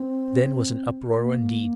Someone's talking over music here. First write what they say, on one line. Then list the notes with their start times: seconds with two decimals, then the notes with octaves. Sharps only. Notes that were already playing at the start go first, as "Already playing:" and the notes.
Then was an uproar indeed.
Already playing: C4
1.15 A#3